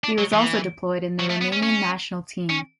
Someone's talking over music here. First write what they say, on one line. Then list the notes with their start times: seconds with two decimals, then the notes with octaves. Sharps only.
He was also deployed in the Romanian national team.
0.04 D4
0.18 F#3
0.33 E3
1.19 F#3
1.30 A3
1.41 B3
1.52 C#4
1.63 C#4
2.49 C#4